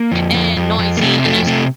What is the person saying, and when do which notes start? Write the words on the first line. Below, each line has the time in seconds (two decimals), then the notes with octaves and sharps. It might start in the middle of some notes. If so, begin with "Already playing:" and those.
and noisy, and there's
Already playing: A#3
0.12 F2
0.34 F2
0.57 F2
0.79 F2
0.97 A#3
1.02 C3 A3
1.25 F2 A3
1.47 C3 A3